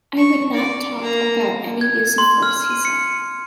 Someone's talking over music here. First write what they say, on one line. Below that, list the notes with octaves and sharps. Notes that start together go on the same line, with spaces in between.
"I would not talk about any use of force", he said.
C#6
D5
A#3 A#5
G#6
C6
F6
D#7
C#7